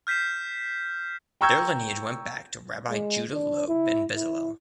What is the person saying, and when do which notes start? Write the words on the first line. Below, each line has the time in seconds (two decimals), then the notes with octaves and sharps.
Their lineage went back to Rabbi Judah Loew ben Bezalel.
0.07 F6 G6 B6 C7 E7
1.41 G5 A#5 C#6 E6 G6 G#6
2.90 G#3
3.34 D4
3.68 E4
4.16 E4